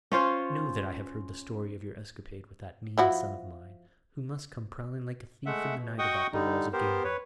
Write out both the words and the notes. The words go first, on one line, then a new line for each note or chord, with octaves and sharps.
Know that I have heard the story of your escapade with that mean son of mine, who must come prowling like a thief in the night about the walls of Gamewell.
C#4 F4 C5 C#5
F3 E4 F#4
G#3 A3 E5 F#5
B2
F#4 D#5 F#5 G5 C#6 D#6
D3 G3 D#4
B3 G4 A#4 C5
B4 C#5